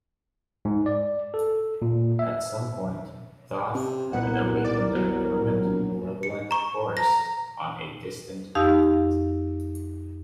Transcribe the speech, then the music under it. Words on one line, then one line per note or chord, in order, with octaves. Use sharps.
At some point, Thoth had awakened a dormant, malevolent force on a distant planet.
G#2
D5
A4
A#2
E5
C3
C2 A#2 B3 A#4 B4 F#5
D5
F#3 B3
A#1
C#7
A#5 C#6
A#5 A#6
F2 D#4 G4 F5 E6